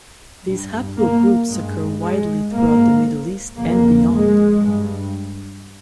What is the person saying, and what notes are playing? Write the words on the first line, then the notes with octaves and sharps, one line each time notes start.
These haplogroups occur widely throughout the Middle East and beyond.
G2
A#3
G2 G#3
G#3
G#2 A#3
F2 C#3 A#3
G#3
G2